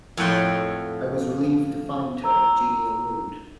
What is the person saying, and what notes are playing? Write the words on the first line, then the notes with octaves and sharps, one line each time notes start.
I was relieved to find her in genial mood.
F2 A2 C#5 F#5 G5 C6
A#5 E6